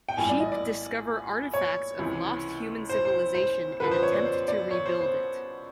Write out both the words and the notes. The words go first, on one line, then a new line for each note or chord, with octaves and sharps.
Sheep discover artifacts of lost human civilization and attempt to rebuild it.
G5
A#1 A2 E3 G3 G#5
D5
D#5
D5
C#5
C#2 C3 E3
C5
C5
C5
F#2 D3 F3 B4
C5
C#5
D5
C5
D5
C#5
C5
C5